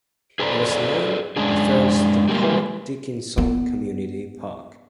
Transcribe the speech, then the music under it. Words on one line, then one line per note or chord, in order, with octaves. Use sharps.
It was named, at first, the Port Dickinson Community Park.
G#4 A4 B4 C5 D5 A#5
F#2 C3 G#3 C#4 D4 G#4
G3 G#3 A#3
B3